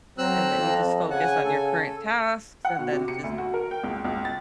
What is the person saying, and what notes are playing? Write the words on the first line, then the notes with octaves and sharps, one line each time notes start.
and then you just focus on your current tasks, and then just
F#3 C4 A4 A#5 E6 F#6
F2
C#3 F#5 G#5
A4
F#5
B2
C3
C#7
D2
F#4
A#4
G5
C#2
C#2
A6